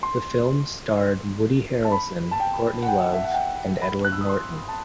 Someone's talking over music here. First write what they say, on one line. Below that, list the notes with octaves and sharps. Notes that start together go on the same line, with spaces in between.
The film starred Woody Harrelson, Courtney Love and Edward Norton.
C6
A5
B5
A5
G5
F#5
G5
E5
F#5
G5
B5
F#6
E6
D#6
C6
A5